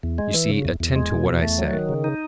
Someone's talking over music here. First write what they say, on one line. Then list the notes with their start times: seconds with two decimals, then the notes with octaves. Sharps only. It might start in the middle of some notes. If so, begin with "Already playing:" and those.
You see, attend to what I say.
0.03 E2
0.18 G#3
0.34 E3
0.49 C#3
0.65 E2
0.80 E2
0.96 G#3
1.12 B2
1.26 E2
1.42 A3
1.58 F#3
1.73 D#3
1.89 C#3
2.04 D#4